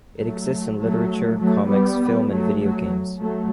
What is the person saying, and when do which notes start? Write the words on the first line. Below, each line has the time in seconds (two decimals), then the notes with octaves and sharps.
It exists in literature, comics, film, and video games.
0.17 F#3 A3
0.79 F#3 A3
1.39 F#3 A3
1.69 G3 B3
2.29 F#3 A3
2.59 F#3 A3
3.20 F#3 A3